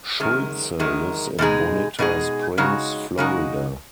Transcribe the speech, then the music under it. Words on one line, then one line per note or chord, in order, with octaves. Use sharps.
Schulze lives in Bonita Springs, Florida.
F#2 D#3 G#3
F#2 D#3 G#3
B2 G#3 D#4 G#4
B2 G#3 D#4 G#4
C#3 G#3 D#4 F#4
C#3 G#3 D#4 F#4